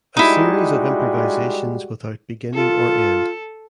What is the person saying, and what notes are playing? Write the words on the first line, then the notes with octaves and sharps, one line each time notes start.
A series of improvisations without beginning or end.
G3 G#3 D#4 E4 F#4
F4 A4